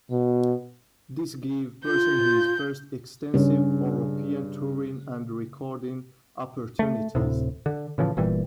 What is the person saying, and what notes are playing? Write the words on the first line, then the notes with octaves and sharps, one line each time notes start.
This gave Person his first extensive European touring and recording opportunities.
B2
F4 G6
G2 C#3 C#4
A3
D1 A2 C3
D3
A2 C#3 E3 F3
G1 A#2 E3 G3